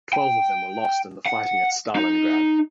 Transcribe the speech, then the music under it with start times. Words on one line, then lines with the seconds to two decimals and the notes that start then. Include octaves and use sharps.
Twelve of them were lost in the fighting at Stalingrad.
0.13 G5
1.26 F#5
1.96 D#4